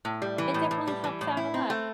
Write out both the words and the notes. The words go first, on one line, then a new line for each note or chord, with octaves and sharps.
it definitely helps out a lot.
A2
G3
E3
A2
A2
G3
E3
A2
E4
C4
A3